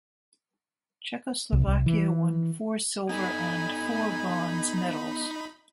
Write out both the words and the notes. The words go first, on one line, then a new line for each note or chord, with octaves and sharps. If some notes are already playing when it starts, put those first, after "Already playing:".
Czechoslovakia won four silver and four bronze medals.
C2
C2
E3
B3 D#4 A4 D5 G#5 B5